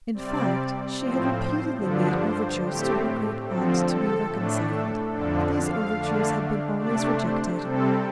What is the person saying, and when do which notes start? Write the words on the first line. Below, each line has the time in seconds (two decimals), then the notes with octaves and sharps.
In fact, she had repeatedly made overtures to her great-aunt to be reconciled, but these overtures had been always rejected.
0.14 C3 G3 C4 D5
0.97 A2 F3 C4 C5
1.38 C5
1.79 G2 D3 F3 D4 A4
2.21 C5
2.63 A2 A3 C4 G4
3.46 D3 F3 C4 A4
3.88 A4
4.29 A2 A3 D4
4.70 A4
5.12 F2 D3 F3 D4 A4
5.53 F5
5.95 D3 A3 D4
6.77 C3 A3 D4 D5
7.19 C5
7.61 C3 G3 C4 A4